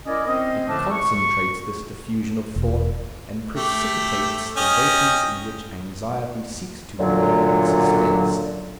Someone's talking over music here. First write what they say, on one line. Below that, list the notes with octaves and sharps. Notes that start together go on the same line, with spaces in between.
It concentrates this diffusion of thought, and precipitates the vapours in which anxiety seeks to remain in suspense.
C#4 E4 A#4 D5 D#5
C4 C#4 C5 D#5
A2 D3 F3 A3 D4 A5
C#6
E1
A3 G4
C#4 D#5 G5
F#2 A#2 D3 F#3